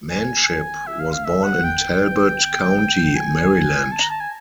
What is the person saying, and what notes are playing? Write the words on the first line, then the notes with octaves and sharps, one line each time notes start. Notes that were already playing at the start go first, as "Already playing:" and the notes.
Manship was born in Talbot County, Maryland.
G#5
E5
F5
F5
E5
F#5
G5
G#5
A5
A#5
A5
G#5